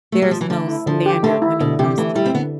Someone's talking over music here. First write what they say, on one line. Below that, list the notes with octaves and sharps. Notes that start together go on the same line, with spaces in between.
there's no standard when it comes to that.
A3
G3
F3
E3
D3 A3
E4
D3 F3
G4
D3 A3
E4
B2 D3
C3 G4
E3 A3
G3 E4
C4
D3 B3